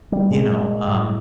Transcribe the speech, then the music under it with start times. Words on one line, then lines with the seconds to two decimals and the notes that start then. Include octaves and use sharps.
you know, um
0.12 G3
0.31 A#2 G#3
0.88 A2